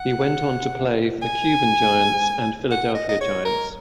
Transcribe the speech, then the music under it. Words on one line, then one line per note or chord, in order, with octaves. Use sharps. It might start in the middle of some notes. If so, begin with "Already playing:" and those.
He went on to play for the Cuban Giants and Philadelphia Giants.
Already playing: F#5
G#5
F#5
D#5
D#5
C#5
A#4